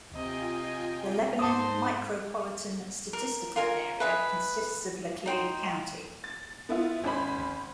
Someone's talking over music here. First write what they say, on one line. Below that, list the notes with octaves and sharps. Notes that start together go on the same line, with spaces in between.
The Lebanon Micropolitan Statistical Area consists of Laclede County.
C3 F4 D#5 G5 G#5
G#2 D#4 C5 A5 D6 D#6
A#4
F4 A#4 G#5 A#5
B4 E5 G#5 D#6
D#4 G5 C6
A6
B3 E4 F4
G#1 C#4 C5 B5